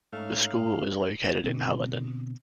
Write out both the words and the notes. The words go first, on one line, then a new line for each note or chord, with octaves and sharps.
The school is located in Haledon.
G#2 A3 C#4 D#4 F5
B2 D3 C4